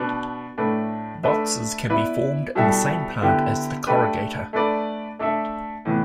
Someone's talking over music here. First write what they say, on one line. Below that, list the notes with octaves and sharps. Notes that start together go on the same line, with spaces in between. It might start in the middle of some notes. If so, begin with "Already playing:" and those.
Boxes can be formed in the same plant as the corrugator.
Already playing: B2 B3 D4
A2 A3 D4 B4
A3 D4 B4 E5
B3 E4 B4 D5
B2 G3 E4 A4 E5
D3 B3 E4 G4
A3 D4 G4 B4
A3 D4 B4 D5
A3 D4 A4 E5
A2 E3 B3